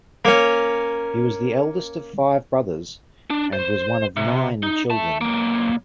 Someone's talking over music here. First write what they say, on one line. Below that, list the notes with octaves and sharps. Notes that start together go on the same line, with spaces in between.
He was the eldest of five brothers and was one of nine children.
A#3 C#4
D4
C5
C3
D#4
E5 A5
B1 A#3